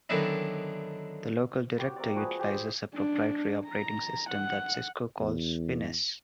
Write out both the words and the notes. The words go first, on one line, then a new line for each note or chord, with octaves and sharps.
The LocalDirector utilizes a proprietary operating system that Cisco calls Finesse.
F#2 D3 D#3 B3 D4 E4
F#4 G4 B5
A#3 C4 D5
F3 F#4 G#4 B4
G4 G#4 C5
D4
A#5
F#5
E2